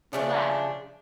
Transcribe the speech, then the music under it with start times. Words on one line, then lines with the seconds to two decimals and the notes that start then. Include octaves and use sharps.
The ladder!
0.13 C#3 F3 G3 A3 C#4 D4